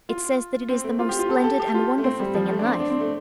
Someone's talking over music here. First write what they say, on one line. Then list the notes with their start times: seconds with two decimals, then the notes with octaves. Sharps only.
It says that it is the most splendid and wonderful thing in life.
0.09 F4
0.69 C4
0.84 A3
0.99 F4
1.09 G4
1.19 F4
1.29 A4
1.37 G4
1.44 A4
1.60 G4
1.74 F4
1.98 A3
2.04 C4
2.19 G3
2.35 F3
2.49 A3
2.59 D4
2.65 C4
2.80 D4
2.90 C4
3.00 A3